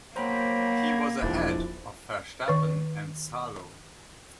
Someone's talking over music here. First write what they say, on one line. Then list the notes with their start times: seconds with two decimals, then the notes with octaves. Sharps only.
He was ahead of Verstappen and Salo.
0.16 F#3 A#3 C5 G5 A#5 B5
0.89 G#6
1.22 E1 G#2 F3 D4 E4
2.48 D#3 B4